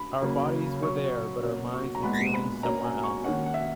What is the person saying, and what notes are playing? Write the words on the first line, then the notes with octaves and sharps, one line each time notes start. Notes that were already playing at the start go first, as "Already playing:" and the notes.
Our bodies were there, but our minds and feelings somewhere else.
Already playing: B5
C#3 F#3 A#3 C#4
B2 F#3 C#4 C#6
B2 F#3 A#3 C#4
C#6
A#5
A#2 G#3 B3 B5
B5
B2 A#3 C#4 A#5
G#5
C#6
D#3 A#3 C#4 F#5
F#5
E5